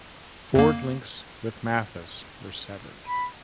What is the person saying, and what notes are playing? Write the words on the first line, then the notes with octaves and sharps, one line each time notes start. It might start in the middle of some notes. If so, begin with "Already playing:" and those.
Ford links with Mathis were severed.
F2 A#3
B5